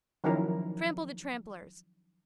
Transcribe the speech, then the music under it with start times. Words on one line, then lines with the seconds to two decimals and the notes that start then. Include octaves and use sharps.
Trample the trampellers.
0.24 D#3 F3 F#3 C#4 E4 A#4